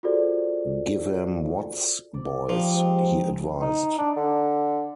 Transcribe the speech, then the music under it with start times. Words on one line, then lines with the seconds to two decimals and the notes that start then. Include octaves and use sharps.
"Give 'em Watts, boys!", he advised.
0.03 F4 F#4 G#4 A4 C5 D5
2.14 D5
2.49 F3 D#4 G4
2.72 G#3 C4
3.62 D#4
3.98 D4
4.17 D3